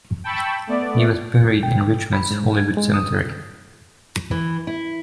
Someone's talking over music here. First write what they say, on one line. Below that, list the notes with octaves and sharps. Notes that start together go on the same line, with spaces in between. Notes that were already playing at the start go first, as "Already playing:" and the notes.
He was buried in Richmond's Hollywood Cemetery.
G5 A5 B5 C#6 E6
A3 B3 D5
G5
B5
G#2
G#6
G#3
D#6
E3
E4